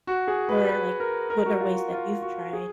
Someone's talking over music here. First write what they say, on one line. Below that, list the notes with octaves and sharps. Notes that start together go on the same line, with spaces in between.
or, like, what are ways that you've tried
F#4
G#4
B4
B4
A#4
A#4
F#4
F4
F#4
F4
F#4
G#4